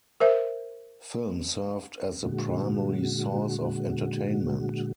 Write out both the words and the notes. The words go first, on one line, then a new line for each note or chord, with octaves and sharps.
Film served as the primary source of entertainment.
A#4 C5 E5
A#2 D3 G#3 F#4